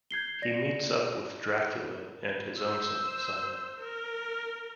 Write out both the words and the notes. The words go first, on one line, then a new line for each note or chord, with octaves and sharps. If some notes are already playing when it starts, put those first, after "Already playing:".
He meets up with Dracula and his own son, Simon.
G6 G#6 C7 G7
D5 A#6
C5 E6
A#4